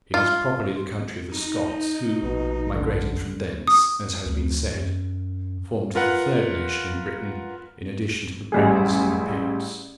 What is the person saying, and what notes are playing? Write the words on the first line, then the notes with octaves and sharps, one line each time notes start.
It is properly the country of the Scots, who, migrating from thence, as has been said, formed the third nation in Britain in addition to the Britons and the Picts.
F4
D#4
A#1 B2
C#2 F#2 D3
D#6
D2
F#2
F4 A#4 B4 F#5
A1 G3 G#4